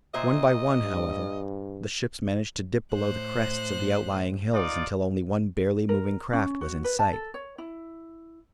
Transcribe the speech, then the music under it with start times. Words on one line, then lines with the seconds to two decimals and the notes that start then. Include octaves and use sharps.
One by one, however, the ships managed to dip below the crests of the outlying hills until only one barely moving craft was in sight.
0.14 A#2 C5 D#5 E5
0.82 G2
2.92 A2 C5 F#6
4.53 D#4 F4 D5
5.89 A#4
6.33 C#4
6.61 F#4
6.84 B4
6.99 A5
7.13 A4
7.34 C#5
7.58 E4